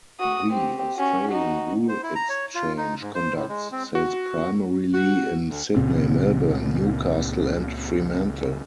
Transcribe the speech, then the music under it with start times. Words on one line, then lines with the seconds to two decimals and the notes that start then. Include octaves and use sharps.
The Australian Wool Exchange conducts sales primarily in Sydney, Melbourne, Newcastle, and Fremantle.
0.20 F#4 D#6
0.51 C4 G4
0.96 C#4 F#4
1.28 D#4 F#4
1.89 C5
2.03 E4
2.15 A#5
2.29 C#5
2.55 F4
2.77 D#4
3.01 G#2
3.15 C5
3.34 A2
3.49 G#3
3.72 C4
3.95 F#4
4.94 F#4
5.50 D2
5.76 C#2 A#2 C#3 C4